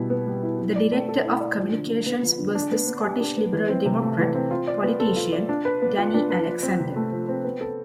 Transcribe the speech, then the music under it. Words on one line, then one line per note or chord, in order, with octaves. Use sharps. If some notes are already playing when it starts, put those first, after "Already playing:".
The director of communications was the Scottish Liberal Democrat politician Danny Alexander.
Already playing: B2 G3 E4
B3
G3
E4
E4
D5
A3
A4
E4
D5
F3
D3
D3
B3
F3
D3
D4
B3
B3
G4
D4
B3
E3
C4
C3
A3
E3
C4
F4
D5
B3
A4
F4
D5
D4
B4
B3
F4
D4
B4
F3
C4
C3
A3
F3
C4
B3
A4